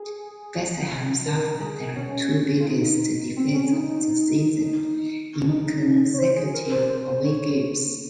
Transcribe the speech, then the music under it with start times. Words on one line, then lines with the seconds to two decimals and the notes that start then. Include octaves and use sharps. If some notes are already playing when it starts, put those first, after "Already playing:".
West Ham suffered their two biggest defeats of the season in consecutive away games.
Already playing: G#4
1.25 A#4
1.49 A#4
1.60 G#4
1.96 C#4
2.60 F4
2.66 D#4
3.36 C4
3.54 C#4
3.72 D#4
3.90 D#4
5.48 D#4
6.14 C#5
6.19 C5
6.36 G#4
6.54 A#4
6.72 C5
6.89 C5
7.24 C#5